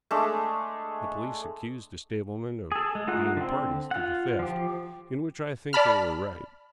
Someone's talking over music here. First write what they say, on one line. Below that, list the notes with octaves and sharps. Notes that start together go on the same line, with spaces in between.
The police accused the stablemen of being parties to the theft, in which I think they were right.
G#3 A3 D4
G#4 A4
G#3
A3 D#4 F4 F#5 F#6
D3 C4
F4 F#5
F3 G4
D5 A5 B5 F6